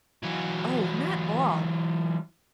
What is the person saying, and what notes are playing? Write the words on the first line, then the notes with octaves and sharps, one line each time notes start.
'Oh, not all!
E3 F#3